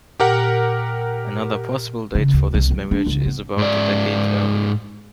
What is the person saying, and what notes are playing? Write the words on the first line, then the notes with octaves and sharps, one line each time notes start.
Another possible date for this marriage is about a decade earlier.
A#2 G4 A#4 F#5
C#3
D2
C2
F#3
D4
C#2
B3
G#2 D5